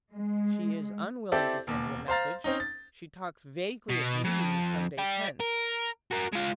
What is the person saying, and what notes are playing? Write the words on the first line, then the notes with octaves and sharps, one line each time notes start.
She is unwilling to send you a message: she talks vaguely of meeting you some days hence.
G#3
C4 E4 G4 A4 D5
E1 D#2
C5 F5 A#5 A6
C4 C#4 D#4
A6
B2
F2
D5 G5
A#4
F#4 A#4
G#3 F4